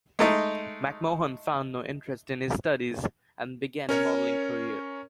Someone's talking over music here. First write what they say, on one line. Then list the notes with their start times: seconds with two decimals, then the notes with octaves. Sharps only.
McMahon found no interest in his studies, and began a modelling career.
0.19 G#3 A3 D#4
3.89 C#4 A#4 C#5